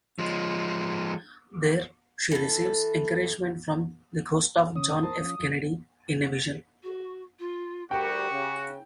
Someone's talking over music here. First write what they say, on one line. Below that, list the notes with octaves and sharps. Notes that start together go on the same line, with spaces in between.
There, she receives encouragement from the ghost of John F. Kennedy in a vision.
F3 G#3
E3 A4
C#3 C#4 D#6
A#4 C5 A5
F3 C#4
F2
F#4
F4
D2 G3 F#4 G4 A#4 G5
C#3